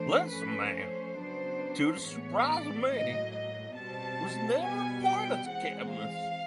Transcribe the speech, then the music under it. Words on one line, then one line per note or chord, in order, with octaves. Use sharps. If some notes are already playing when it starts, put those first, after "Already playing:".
Lissaman, to the surprise of many, was never appointed to cabinet.
Already playing: E3 A3 D4 C5
F3 A3 C#4 B4
C5
C#3 F#3 B3 D4
A2 E3 G#3 B3 C#5
D5
A2 F#3 A#3 D#5
D#5
B2 G3 C4 A5
B2 G3 B3 G#5
G5
E3 G#3 C4 F#5
F5